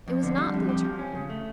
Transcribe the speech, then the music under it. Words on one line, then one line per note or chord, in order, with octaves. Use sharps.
It was not the attorney.
F2
D3
G3
F2
G4
F3
C#4
C#3
A3